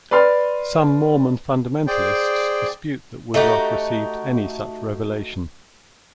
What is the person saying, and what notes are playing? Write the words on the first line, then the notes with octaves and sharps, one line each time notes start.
Some Mormon fundamentalists dispute that Woodruff received any such revelation.
B4 D5 G5 C6 F6
G#4 C5 D5 G5
A3 D#4 F#4 G4